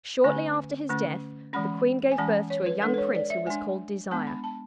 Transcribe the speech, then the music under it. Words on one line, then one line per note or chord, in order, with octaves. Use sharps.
Shortly after his death, the Queen gave birth to a young Prince, who was called Desire.
D3 A3 C#4 G#5
D3 A3 C#4
E3 G#3 C#4 B5
G#5
E3 G#3 C#4 A5
C#5
B4
G#3 D4 A4
B4
C#5
D5
E5
G#3 D4 G#5
G#3 B3 D4 A5
B5
A5